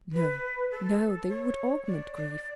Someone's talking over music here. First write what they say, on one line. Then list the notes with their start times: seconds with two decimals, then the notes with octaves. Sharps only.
No, no, they would augment grief.
0.13 B4
0.71 A4
1.28 C#5
1.85 D5
2.14 D5